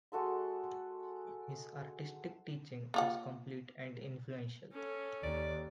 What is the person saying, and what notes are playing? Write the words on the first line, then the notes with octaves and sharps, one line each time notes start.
His artistic teaching was complete and influential.
G#3 F#4 A4 C6
A#3 F4 F#5
C#4 A4
D#2 D5